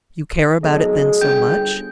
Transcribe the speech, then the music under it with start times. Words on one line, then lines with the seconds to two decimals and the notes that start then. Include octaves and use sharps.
"You care about it, then, so much?"
0.63 B1 G#4 A4 D#5
1.21 G1 G5 G6